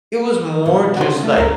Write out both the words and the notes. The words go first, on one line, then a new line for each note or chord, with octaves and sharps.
it was more just, like,
B2
C#3 F#4 C5
A3 F4
C#2 A3 A#4